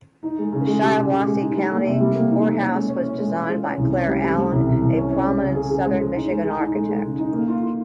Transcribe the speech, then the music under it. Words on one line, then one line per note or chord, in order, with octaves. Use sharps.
The Shiawassee County Courthouse was designed by Claire Allen, a prominent southern Michigan architect.
D#4
G#3
C#3
G#3
G4
C#3
G4
G#3
D#4
G3
A#3
C3
G3
A#3
D#4
A#3
C#4
G#3
C#4
C#4
G#3
F4
G#3
C#4
C2
C#4
G3
G3
G3
C2
C2
C2
C#4
C#4
G#3
C#3
G#4
G#4
G#3
G#4
D#4
G#3
G#4
D#4
G#3
G#3
C#3
D#4
A#3
F4
F4